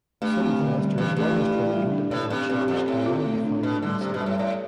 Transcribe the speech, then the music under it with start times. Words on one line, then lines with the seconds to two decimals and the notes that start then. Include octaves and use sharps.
Some of Leicester's longest running independent shops can now be found in this area.
0.22 G2 A3
0.40 C4
0.59 D3
0.78 G3
0.98 G2 E3
1.16 G2 A3
1.36 D5
1.54 E4
1.74 G3
1.92 D4
2.11 A2 B4
2.30 G2 C4
2.49 G2 C4
2.68 F2 G4
2.88 A2 C4
3.06 F4
3.25 A3
3.44 D4
3.63 B2 D4
3.82 D3 G3
4.01 C3 G4
4.14 B2
4.21 G3
4.26 A2
4.39 A2 D5